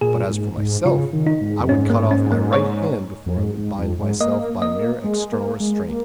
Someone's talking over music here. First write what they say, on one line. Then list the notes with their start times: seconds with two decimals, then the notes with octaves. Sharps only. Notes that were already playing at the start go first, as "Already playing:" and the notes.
But as for myself, I would cut off my right hand before I would bind myself by mere external restraint.
0.01 A#2 G#4
0.29 G#2
0.57 G#2
0.85 C#3 F4
1.13 D#3
1.26 D#4
1.41 G#2
1.60 F2
1.69 G#2 C#4
1.90 A#3
2.11 C#4
2.32 A#3
2.53 C#5
3.26 F2
3.37 G#2
3.57 G#2
3.79 F2
3.99 G#2
4.20 A#3 D#5
4.62 A#3 D#5
5.04 G#3
5.32 A#3
5.60 G#3
5.88 A#3